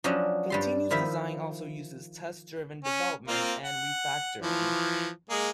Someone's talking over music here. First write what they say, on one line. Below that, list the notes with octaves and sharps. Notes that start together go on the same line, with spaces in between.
Continuous design also uses test driven development and refactoring.
F3 F#3 C#4 D4 D#5
G2 G3 C6
D#3 F3 E4 E5 B5
C#4
A#3 C4 F4
F#5
E3 F3
G#3 A#3 G#4